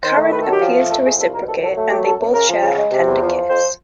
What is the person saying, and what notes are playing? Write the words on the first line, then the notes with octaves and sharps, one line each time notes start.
Karen appears to reciprocate and they both share a tender kiss.
D#3 C5
A3
D#3 B4
A4
F#3
G4
F3
A3
F2 A4
F3 G#4
C2 A4
B2 A#4
C2 A4
F#3 A4
A3
F#3 G4
F#2 A4
F#2
C#3 A#4
F3
C#3
G#3
C3
E2
F3
F3
F2 C5